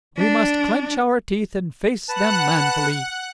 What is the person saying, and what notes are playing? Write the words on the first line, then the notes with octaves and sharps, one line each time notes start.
We must clench our teeth and face them manfully.
D4
B4 F#5 A5 F#6